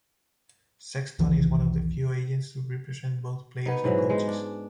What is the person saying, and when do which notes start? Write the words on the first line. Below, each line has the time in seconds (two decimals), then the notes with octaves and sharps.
Sexton is one of the few agents to represent both players and coaches.
1.19 E1 B1 D#3 E3
3.66 B3 D#4
3.84 G#2 E3 F#3
4.10 G#3 D#4
4.28 D4